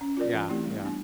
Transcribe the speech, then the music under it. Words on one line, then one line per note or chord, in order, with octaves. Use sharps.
Yeah, yeah.
C#4
F4 A#4 D5
E3
A3 C4 E4 G4
G3
B3 D4